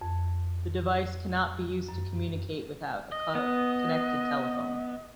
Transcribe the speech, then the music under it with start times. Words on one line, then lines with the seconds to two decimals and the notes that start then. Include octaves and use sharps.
The device cannot be used to communicate without a connected telephone.
0.01 F2
1.89 F#2
3.12 D#5
3.35 B3 D#5